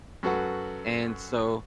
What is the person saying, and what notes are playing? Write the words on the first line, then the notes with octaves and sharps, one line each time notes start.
And so
F#2 F#4 A4 B4 F#5